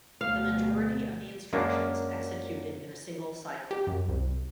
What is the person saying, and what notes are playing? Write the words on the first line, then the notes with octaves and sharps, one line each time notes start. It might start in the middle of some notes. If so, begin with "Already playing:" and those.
The majority of the instructions executed in a single cycle.
D2 B2 F5
F#2 G#3 A#3 C#4 D4
G4
F#2
C2